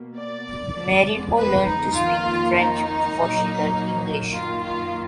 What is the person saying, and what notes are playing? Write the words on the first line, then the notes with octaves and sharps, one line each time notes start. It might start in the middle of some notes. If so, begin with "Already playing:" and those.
Marinho learned to speak French before she learned English.
Already playing: B2 A#3
D5
F2 D3 G#3 B3
B4
D#4
F2 D#3 A#3 F4
D#4
A#2 F#3 A#3
F#2 D#3 A#3 F4
F4